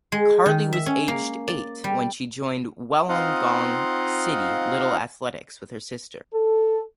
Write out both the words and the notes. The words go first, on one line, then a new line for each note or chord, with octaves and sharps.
Carli was aged eight when she joined Wollongong City Little Athletics with her sister.
G#3
D#3
E5
C#4
A#3
D5
G3
C4 D#4 F4 D#5 F5 F#5
A4